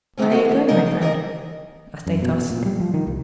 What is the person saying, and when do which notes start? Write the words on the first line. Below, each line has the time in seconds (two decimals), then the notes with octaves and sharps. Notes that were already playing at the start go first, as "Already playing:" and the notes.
"Where are you going, my friend?" asked Athos.
0.18 D#3 F#3 G#3 A#3 C4 C#4
0.30 G3 G#3 C4 F#4
0.45 E3 E5
0.68 D2 G#2 C#3 D#4 A#4 D#5
0.86 D2 D#4
1.00 G2 E3 A#4 C#5 D#5
2.07 F#2
2.22 B2
2.34 B2
2.51 A#2
2.65 G3
2.80 F3
2.94 D#3
3.07 C2